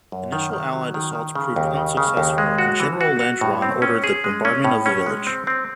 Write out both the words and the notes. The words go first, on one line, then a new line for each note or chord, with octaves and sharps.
Initial Allied assaults proved unsuccessful and General Langeron ordered the bombardment of the village.
F#2
D#3
D#3
F#3
D#3
D#3
C#3
D#2
C#3
C#3
D#2
G#3
F#4
E3
F#4
F#4
A2
C4
C#4
G#4
G#3
C#4
A2
C#4
G#3
C4
C4